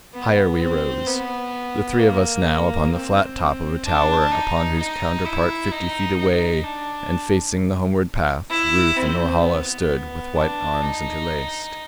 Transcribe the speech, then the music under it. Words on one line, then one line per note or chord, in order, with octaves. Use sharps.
Higher we rose; the three of us now upon the flat top of a tower upon whose counterpart fifty feet away and facing the homeward path, Ruth and Norhala stood with white arms interlaced.
B3
C4
B3
A#3
C4
D4
D#4
D#4
E4
D#4
D#4
D4
E4
C4
B3
D4
D#4